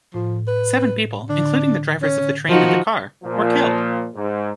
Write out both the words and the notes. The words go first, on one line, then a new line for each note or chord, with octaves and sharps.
Seven people, including the drivers of the train and the car, were killed.
A2 F3
B4
D3 D4
C#4
D#3 F3 D#4 F#4
A#2 F3
G#2